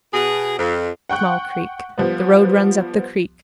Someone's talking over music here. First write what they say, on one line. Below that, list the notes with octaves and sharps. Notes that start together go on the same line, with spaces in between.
Small Creek.--The road runs up the creek.
B2 G#4
F2
F#5 G5 C#6 F#6
F3 G3 B3